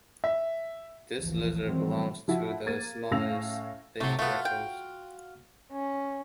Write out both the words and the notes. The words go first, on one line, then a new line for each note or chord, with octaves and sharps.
This lizard belongs to the smallest day geckos.
E5
G#1 D2 E3 F3
B2 D#3 E3 F#3 G3 C4
F3 E4 F#4
A#3 G#6 A6 D#7
A2 C#4 F5 E6 A#6 F7
C3 F#3 A3
A3 B3 F4 F#4
G5
C#4